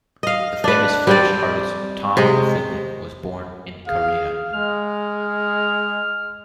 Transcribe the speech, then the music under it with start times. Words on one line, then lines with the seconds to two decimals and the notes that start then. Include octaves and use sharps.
The famous fetish artist Tom of Finland was born in Kaarina.
0.23 D#5 F5
0.64 D4 B4
1.07 G3 C4 D5
2.17 C3 G#3
3.87 G#4 F5
4.54 G#3 F6